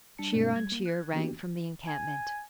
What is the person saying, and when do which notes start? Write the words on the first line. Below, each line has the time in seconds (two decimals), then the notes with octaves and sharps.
Cheer on cheer rang from the encampment.
0.18 G3 D4 A5 C#7
0.33 G2 B2 G#3 A3 C4 D4
0.55 G3 G#6
0.72 A#3
0.86 F#6 G#6
1.13 E3 A#3 B3 D4 F#4 G4
1.87 G#5